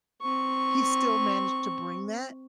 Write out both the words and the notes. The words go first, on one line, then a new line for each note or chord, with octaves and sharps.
he still managed to bring that,
C4 C#6